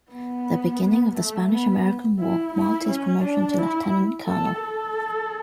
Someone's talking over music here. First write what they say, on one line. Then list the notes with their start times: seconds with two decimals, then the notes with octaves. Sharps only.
The beginning of the Spanish-American War marked his promotion to lieutenant colonel.
0.12 B3
1.16 A3
1.51 B3
2.20 E4
2.54 E4
2.89 C#4
3.24 D4
3.58 E4
4.27 A4
4.62 A4